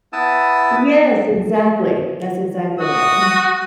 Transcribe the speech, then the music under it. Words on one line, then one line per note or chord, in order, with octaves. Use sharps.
Yes, exactly. That's exactly right, mm
B3 E4 A5 D#6 E6
F#4 D#6